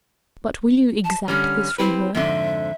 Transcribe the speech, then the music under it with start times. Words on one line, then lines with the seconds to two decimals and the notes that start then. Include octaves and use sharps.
But will you exact this from her?
1.04 A5
1.28 D3 G3 C#4 F6
1.78 C4 E4 G4 B4
2.15 F2 G#2 D3 E5